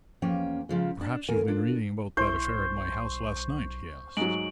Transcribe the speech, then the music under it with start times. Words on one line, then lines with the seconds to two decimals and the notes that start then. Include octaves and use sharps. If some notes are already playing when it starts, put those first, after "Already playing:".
"Perhaps you've been reading about that affair at my house last night?" he asked.
0.22 E2 F3 A#3 C#4 G5
0.69 C#3 F3 G#3
1.01 D4
1.29 D#2 A3 A#4 G#5
1.48 D4 F4
2.17 B1 E4 C5 C#6
4.17 G#2 F#3 D7 F#7